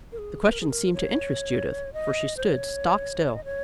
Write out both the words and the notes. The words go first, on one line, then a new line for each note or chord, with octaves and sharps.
The question seemed to interest Judith, for she stood stock still.
A#4
G#4
C5
A#4
G#4
A#4
C#5
D#5
C5
C#5
D#5
C#5